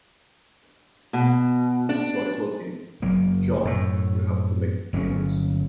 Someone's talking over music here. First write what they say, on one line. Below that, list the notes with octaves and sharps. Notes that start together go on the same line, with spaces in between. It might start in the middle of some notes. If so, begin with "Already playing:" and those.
So I told him, 'John, you have to make the games.
B2
D4
F#1 F#3 A#3
F#2 A2
G1 F#3 C4 C#4